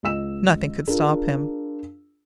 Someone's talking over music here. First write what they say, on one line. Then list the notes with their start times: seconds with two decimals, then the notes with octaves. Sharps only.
Nothing could stop him.
0.03 C#2 D#5 E6 E7
0.87 D4 F4 G#4 A#4